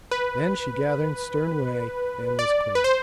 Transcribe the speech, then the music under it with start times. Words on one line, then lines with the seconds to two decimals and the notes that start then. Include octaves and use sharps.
Then she gathered stern way and was clear.
0.11 B4
2.39 D5
2.75 B4
2.84 C5